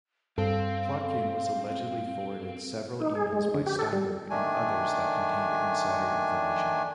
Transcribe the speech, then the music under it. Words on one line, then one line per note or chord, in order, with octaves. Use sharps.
Plotkin was allegedly forwarded several emails by Steinberg and others that contained insider information.
G2 C4 A4 F5
D#4
G#4
G#3
D3
G4
A4
G3
D#3 A3 D4 G#5